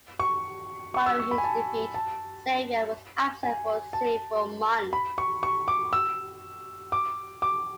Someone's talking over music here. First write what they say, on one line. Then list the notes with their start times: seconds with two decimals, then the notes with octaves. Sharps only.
Following his defeat, Xavier was absent for several months.
0.20 C#6
0.94 C#6
1.06 E6
1.19 C#6
1.31 B5
1.38 G#5
1.44 A5
1.94 A5
3.43 G#5
3.93 A5
4.93 B5
5.18 C#6
5.43 C#6
5.68 D6
5.93 E6
6.92 D6
7.42 D6